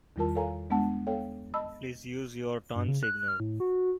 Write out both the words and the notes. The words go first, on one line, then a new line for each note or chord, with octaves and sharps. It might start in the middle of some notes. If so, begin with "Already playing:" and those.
Please use your turn signal.
E2 D#3 G3 F4 A#4 A5
A4 A#4 C#5 F5 G#5 A#5
G#3 B3 D4 F#5 A5
B3 A4 C#5 F5 G5
D#5 A5 B5 E6
G2
C#3
F#6
F6
A2
F#4